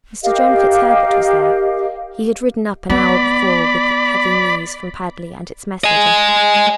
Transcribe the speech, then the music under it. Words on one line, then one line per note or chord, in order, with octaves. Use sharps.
Mr. John FitzHerbert was there; he had ridden up an hour before with heavy news from Padley and its messenger.
G4 A#4 D#5 F5
B3 D5 B5
D#5 G#5